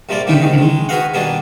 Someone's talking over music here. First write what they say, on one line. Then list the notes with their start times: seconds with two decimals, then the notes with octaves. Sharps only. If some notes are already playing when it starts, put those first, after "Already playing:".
Mhm, mhm.
0.09 A#1 C3 F3 G3 A#3 D5
0.27 A#2 D#3 A#3 E4 G4
0.41 D#2 G#2 D#3 D#4
0.58 D#3 G#3
0.89 F#4 G#4 B4 D#5 F5 F#5
1.14 B2 D#3 G3 A#3 D4 G#4